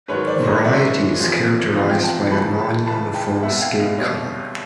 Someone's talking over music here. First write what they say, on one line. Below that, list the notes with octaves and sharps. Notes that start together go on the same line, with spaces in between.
Variety is characterized by a non-uniform skin color.
G#2 D#3 F#3 B4 C#5
C5 D5
C#5 D#5
G#2 D#3 F#3 D5 E5
E2 C3 F3
E2 C3 F3 D#5 F5
F5 G5
G5 A5
C#2 C#3 E3 A5 B5
A5 B5
C#2 C#3 E3 A5 B5
G5 A5
C2 B2 G3 E5 F#5
F5 G5
D#5 F5
C2 B2 G3 C#5 D#5